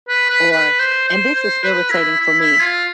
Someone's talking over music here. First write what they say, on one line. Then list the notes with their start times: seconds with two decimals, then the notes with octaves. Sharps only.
or and this is irritating for me,
0.09 B4
0.30 B4
0.51 B4
0.79 C5
1.08 C5
1.35 C5
1.64 B4
1.91 E4
2.19 E4
2.40 E4
2.62 F4